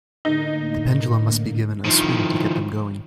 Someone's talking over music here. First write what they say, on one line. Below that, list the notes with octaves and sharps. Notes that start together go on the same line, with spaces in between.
The pendulum must be given a swing to get them going.
A2 D3 A#3 D#4
D#3 F3